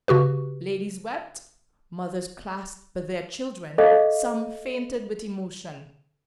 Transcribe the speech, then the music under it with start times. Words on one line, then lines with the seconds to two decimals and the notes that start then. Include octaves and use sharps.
Ladies wept; mothers clasped their children; some fainted with emotion.
0.08 C#3 F#4 G4 B4
3.78 G#4 A4 D#5 F5